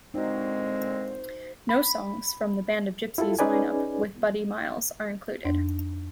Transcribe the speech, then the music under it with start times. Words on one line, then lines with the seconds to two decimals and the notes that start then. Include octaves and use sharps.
No songs from the "Band of Gypsys" lineup with Buddy Miles are included.
0.14 A#2 D3 G#3 C4 D#4 F#4 C5
1.69 B5
3.18 E4 F4 G4 A4
3.39 C#4 D#4 G#4 B4 D5 G#5
5.45 F2 D4